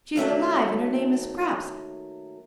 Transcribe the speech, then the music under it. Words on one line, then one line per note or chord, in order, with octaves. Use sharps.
She's alive and her name is Scraps.
D#3 F#3 A3 A#3